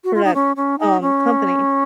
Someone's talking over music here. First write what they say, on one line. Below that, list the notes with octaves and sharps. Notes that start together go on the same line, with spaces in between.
for that, um, company.
F#4
F4
D#4
C#4
C#4
D#4
C#4